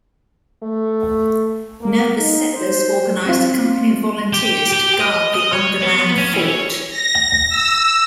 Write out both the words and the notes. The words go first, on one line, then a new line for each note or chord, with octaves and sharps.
Nervous settlers organized a company of volunteers to guard the undermanned fort.
A3
A#3
D#4
C5
C4 F4
G4
G4
D#5
D#5
C#5
B3
C#4
E3
C#5
A#6
E6